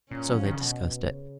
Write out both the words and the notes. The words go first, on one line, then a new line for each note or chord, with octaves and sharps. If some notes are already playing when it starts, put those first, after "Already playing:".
So they discussed it.
A#2 C#4
F#3
F3
D#3
C#3
B2
C#3